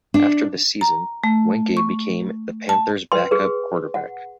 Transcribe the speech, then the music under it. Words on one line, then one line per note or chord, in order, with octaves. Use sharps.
After the season, Weinke became the Panthers backup quarterback.
D4
A#5
A3
C#6
A5
B4 G5 C6
G#4 B4
F#5